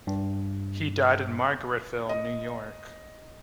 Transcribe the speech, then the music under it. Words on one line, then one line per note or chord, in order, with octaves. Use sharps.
He died in Margaretville, New York.
G2
D#5